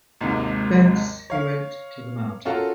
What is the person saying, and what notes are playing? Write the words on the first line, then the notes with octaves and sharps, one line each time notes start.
Thence he went to the mountain.
G#1 D#2 G#2 C3
C#5 F5
C#4 F4 F#4 A4 A#4